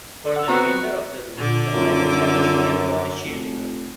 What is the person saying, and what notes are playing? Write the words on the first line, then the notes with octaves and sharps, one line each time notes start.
For the remainder of the route, the highway travels near the Bonnechere River.
D3
F#5 E6
B3 C4 F#4 A#5
A#2 D3 D6
D#1 F#2 F4
F1